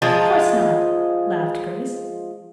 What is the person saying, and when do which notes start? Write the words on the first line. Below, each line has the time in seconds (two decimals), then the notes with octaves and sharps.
"Of course not," laughed Grace.
0.02 F3 G#3 D#4 F4